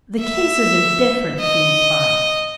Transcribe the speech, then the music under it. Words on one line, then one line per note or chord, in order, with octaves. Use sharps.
'The cases are different,' he replied.
E5
D#5